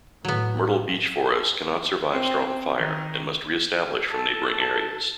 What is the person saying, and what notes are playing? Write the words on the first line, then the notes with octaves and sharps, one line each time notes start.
Myrtle beech forests cannot survive strong fire, and must re-establish from neighbouring areas.
A2 F#3 B3
C4
D#3
A4 A5